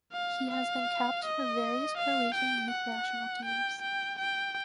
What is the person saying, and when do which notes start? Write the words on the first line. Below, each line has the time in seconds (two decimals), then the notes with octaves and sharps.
He has been capped for various Croatian youth national teams.
0.13 F5
0.51 F5
1.25 D#5
1.98 F5
2.34 G5
2.71 F#5
3.45 G5
3.82 G5
4.19 G5